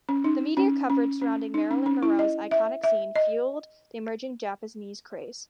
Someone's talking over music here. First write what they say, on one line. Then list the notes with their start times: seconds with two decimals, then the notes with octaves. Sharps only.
The media coverage surrounding Marilyn Monroe's iconic scene fueled the emerging Japanese craze.
0.09 C#4
0.24 D#4
0.57 C#4
0.90 C#4
1.21 C#4
1.54 D#4
1.71 C#4
1.86 C#4
2.03 E4
2.19 D#5
2.51 E5
2.84 E5
3.16 D#5